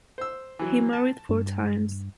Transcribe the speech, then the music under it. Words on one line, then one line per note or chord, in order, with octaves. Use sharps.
He married four times.
C5 E6
E3 F#3
A5
G2